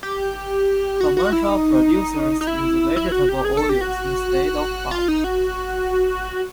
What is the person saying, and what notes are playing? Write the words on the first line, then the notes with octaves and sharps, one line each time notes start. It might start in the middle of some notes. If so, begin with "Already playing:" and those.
Commercial producers use vegetable oils instead of butter.
G4
F#4
F#4
E4
D#4
D#4
E4
E4
F#4
G4
G#4
A4
G4
F#4
F4
D#4
F#4